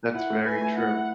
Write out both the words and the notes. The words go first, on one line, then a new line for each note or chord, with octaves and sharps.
That's very true.
E4 F#5
A3
B4 G#5
A3
E4 F#5
A3